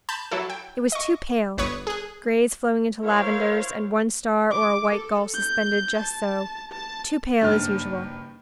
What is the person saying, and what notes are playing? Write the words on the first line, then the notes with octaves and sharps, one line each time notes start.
It was too pale--greys flowing into lavenders, and one star or a white gull suspended just so--too pale as usual.
A5 B5 G6
F#3 E4 A4
G5
D#5 C#6
G1 B4 C#5 C#6 D#6
G#4 F#6
E4 A#4 C5 C#5 F5
D6
A4
G6
A5
A5
F#1 G2 D#3 F6 A6